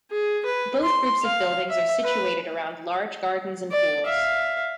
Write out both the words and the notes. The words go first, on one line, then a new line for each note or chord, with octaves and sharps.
Both groups of buildings are situated around large gardens and pools.
G#4
B4
C6
F5
E5
B4
D5
E5 F5